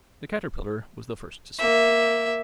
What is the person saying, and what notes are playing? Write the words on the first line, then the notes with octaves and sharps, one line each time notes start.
The Caterpillar was the first to speak.
A#3 E5